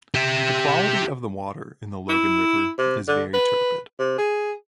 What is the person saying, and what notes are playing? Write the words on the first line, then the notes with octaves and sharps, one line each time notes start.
The quality of the water in the Logan River is very turbid.
G4 E5
E4
C3
D3
B4
C3
G#4